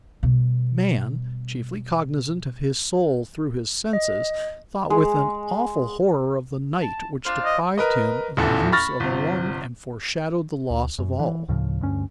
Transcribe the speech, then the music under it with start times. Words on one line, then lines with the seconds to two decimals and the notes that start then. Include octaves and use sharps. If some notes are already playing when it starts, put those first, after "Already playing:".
Man, chiefly cognizant of his soul through his senses, thought with an awful horror of the night which deprived him of the use of one and foreshadowed the loss of all.
0.23 B2 G3
3.93 D#5
4.90 G#3
6.82 A5
7.25 D4 F4 C5 F6
7.45 D#5
7.78 A#4 B4 D#5
8.37 D#1 A1 E2 A4
8.72 B5 C#6 F6 A6 A#6
9.00 G1 C3
10.71 D2
10.99 F#2
11.19 E3
11.48 D2 A2 C#3 F3
11.81 D2 G2 C#4